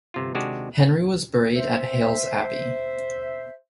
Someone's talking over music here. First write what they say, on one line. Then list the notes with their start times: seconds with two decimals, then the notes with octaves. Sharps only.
Henry was buried at Hailes Abbey.
0.14 G1 C3 F4
0.35 C3 D#3 G#3 D4 F#4 G4
1.56 C5 E5